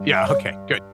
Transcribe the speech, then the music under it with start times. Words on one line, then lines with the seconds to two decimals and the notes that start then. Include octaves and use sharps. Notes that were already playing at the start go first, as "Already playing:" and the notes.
Yeah, okay, good.
Already playing: G2
0.15 E5
0.27 C#5